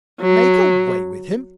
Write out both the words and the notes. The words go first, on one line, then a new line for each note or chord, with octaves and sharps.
Make away with him!
F#3